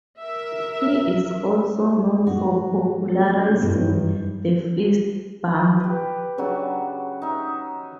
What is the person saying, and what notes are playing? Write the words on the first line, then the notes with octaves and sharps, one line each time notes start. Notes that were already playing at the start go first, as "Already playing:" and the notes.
He is also known for popularizing the fist bump.
A#4 E5
G#2 F#4
F#3 A3 C#4
B2 A3 G6
G2 E3 F4
F#2 D#4
G4 B4
C#3 F#3 D4 F#4
D#4 E5